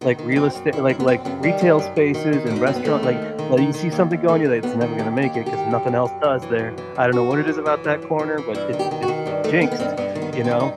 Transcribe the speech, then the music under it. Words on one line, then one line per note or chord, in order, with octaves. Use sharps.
Like, real estate like like, retail spaces and restaurant. Like like, you see something going, you're like, "It's never gonna make it 'cause nothing else does there. I don't know what it is about that corner, but it's it's jinxed," you know?
D#3 B3
D#3
D#4
F#2 C4
F#2
D#3 E4
F#2 E4
B3
F#2 C4
F#2 B3
D#3 G3
D#3
F#2
F#2
D#3
D#3
F#2 E4
D#4
F#2 C4
B3
D#2 A3
D#3
D#2
D#3
D#3
D#3
D#2
D#2
D#3 A3
D#3
D#2 B3
D#3
D#2 G4
D#2
G4
D#3
G4
D#3
F#2
F#2
F#2
F#2
E3
F#2
E3
F#2
F#2 F#4
E3
F#2
E3
F#2
F#2
E3
E3
G2 E4
D#3
G4
D#3
F#4
D#3
G2 G3
D#3 A3
D#3 B3
B3
G2 C4
G2 B3
D#3
B3
D#3
C4
G2
D#4